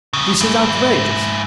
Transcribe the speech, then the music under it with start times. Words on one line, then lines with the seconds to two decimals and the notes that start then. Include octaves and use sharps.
This is outrageous!
0.13 F2 C#3
0.41 G#2 E4